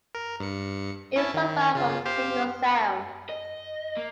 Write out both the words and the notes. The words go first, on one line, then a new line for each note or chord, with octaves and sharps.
It's so far from a singles sound.
A#4
G2 C#7
C#4 E4 A5
D#3
C#3 F4
G4 C5 F5
D#5
A#3